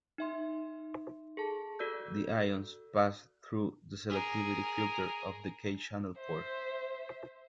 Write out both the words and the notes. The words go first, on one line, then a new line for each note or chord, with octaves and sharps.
The ions pass through the selectivity filter of the K channel pore.
D#4 E5 C6
G#4 A4 A5
F#4 A4 D5 E6 G6
G#4 A#4
C5 E5